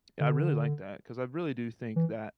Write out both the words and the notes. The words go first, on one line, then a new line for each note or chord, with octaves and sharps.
Yeah, I really like that 'cause I really do think that
D3
E3